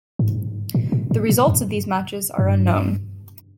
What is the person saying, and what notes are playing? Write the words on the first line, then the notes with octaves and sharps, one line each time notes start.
The results of these matches are unknown.
G#2
A2
A#2
A2
A#2
F#2
G2